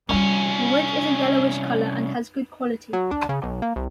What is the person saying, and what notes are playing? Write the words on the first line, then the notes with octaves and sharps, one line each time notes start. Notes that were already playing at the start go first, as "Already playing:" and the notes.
The wood is a yellowish color and has a good quality.
C2 G3 C#4 F4
F#3
D4
C#3
B1
A#3
C2